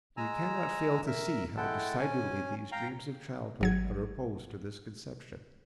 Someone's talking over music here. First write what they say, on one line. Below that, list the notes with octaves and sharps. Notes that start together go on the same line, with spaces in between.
You cannot fail to see how decidedly these dreams of childhood are opposed to this conception.
G#3 G#5 A#5 E6
A#4 E5
G#3 E4 A4 F#5 G5 A5
C#4 G#5
F5 G5 A#5
G#1 F#3 G#6